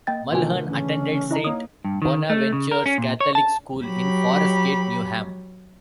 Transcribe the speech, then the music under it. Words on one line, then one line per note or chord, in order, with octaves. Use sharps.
Mulhern attended Saint Bonaventure's Catholic School in Forest Gate, Newham.
A#3 D#5 G5 A6
B2 D3 A3 F4 A#4 B4 G5 G#5
C#3 E3 C#4
E4 D#5 A#5
A#3 D#4 C#5 D#6
G2
D#3
A3
C#3
A#4
C#4
A#2
C#5
A5
F#3 G4 B5